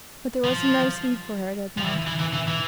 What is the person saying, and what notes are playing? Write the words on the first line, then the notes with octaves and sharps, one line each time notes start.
But there was no sleep for her that night.
F3
F3
E3
E3
E3
E3
E3